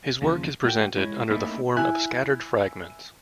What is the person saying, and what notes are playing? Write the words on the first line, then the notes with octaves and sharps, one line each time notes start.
His work is presented under the form of scattered fragments.
D#2 C#3 F3
A3 F#4 G5
G#3 E4 C#5
A3 A#3 C#4 D#4 E4
E4 G#5 F#6